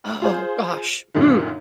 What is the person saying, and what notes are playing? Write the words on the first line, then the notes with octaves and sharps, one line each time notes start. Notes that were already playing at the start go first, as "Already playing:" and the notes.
Oh gosh, hmm.
F4 G#4 C5
F#2 A#2 D3 D#3